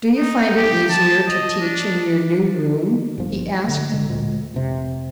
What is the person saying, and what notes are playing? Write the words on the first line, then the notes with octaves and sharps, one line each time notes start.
"Do you find it easier to teach in your new room?" he asked.
D#4
G4
A5
D#5
D4
G1 F3
D3 A3
G#1 D3 G#3
D2 A#2 G#3
F1 C3